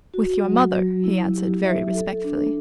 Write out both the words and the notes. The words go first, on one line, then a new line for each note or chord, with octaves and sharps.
"With your mother," he answered very respectfully.
F#4
F#3
F#3
E4
G4
E5
A4
D4